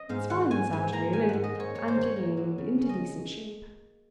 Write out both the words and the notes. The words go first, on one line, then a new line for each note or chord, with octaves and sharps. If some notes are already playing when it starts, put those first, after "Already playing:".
It's fine this afternoon, and I'm getting into decent shape.
Already playing: D#5
G#2 F5
D#3 F#5
G#2 G#5
G#2 G#5
A#3 A#5
D#3 G#5
G#2 F#5
D#5
G#2 C#5
G#2 C#5
C5
D#3
C#5
A#3
F#3
C#3
C#4
D#5